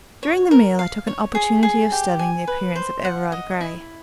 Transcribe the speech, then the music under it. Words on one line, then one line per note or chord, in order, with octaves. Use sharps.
During the meal I took an opportunity of studying the appearance of Everard Grey.
C#5
A#4
F5
C#5
G#4
G#4
G4
G#5
B4
C5
F#5
D#5
E4